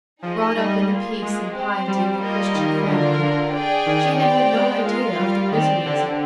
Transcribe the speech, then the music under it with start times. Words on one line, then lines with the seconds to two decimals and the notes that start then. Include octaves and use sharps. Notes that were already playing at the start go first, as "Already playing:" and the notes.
Brought up in the peace and piety of a Christian family, she had had no idea of the miseries of paganism.
0.22 F3 D#4 G#4 D#5
0.56 G3
0.89 A#3 F4 G#4
1.22 G#3
1.55 C4 G4 C5
1.88 G3
2.21 G3 A#3 F4 A#4 D#5
2.54 D#3
2.87 D3 D4 F4 A#4
3.53 G#4 D5 G5
3.86 D#3
4.20 C4 G4 D5 G5
4.53 G#3
4.86 G#3 F4 A#4 F5
5.19 G3
5.52 D#3 C4 G4 D5
5.85 D3